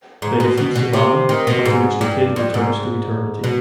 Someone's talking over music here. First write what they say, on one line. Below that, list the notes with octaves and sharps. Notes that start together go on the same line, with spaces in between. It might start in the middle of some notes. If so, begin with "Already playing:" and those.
They defeat Sivana, after which the Kid returns to Eternity.
G#2
B2
B2
B2
C3
D#3
B2
G#2
G2
F2
G#2
B2